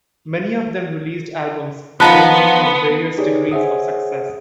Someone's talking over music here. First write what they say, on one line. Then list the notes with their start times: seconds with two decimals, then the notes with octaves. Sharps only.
Many of them released albums, ranging in various degrees of success.
2.00 F3 B3 D#4 F4 A5 B5 F#6
3.18 D#4 G4 G#4 B4 C#5 D5
3.51 G#4 C5 C#5 E5 F#5 D#6